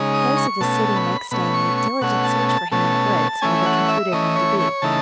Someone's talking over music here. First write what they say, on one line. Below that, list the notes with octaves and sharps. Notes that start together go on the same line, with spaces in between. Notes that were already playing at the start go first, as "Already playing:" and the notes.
Those of the city next day made diligent search for him in the woods, where they concluded him to be.
Already playing: C#3 G#3 D#4
D#6
C#6
B2 A3 C#4 A5
B5
B2 A3 C#4 B5
C#6
C#6
B2 A3 C#4 F#5
A5
A5
B2 A3 C#4 A5
E3 A3 C#4 G#5
F#5
E5
E3 A3 C#4 D#5
C#5
C#5
C#3 E3 A3 D#4 A5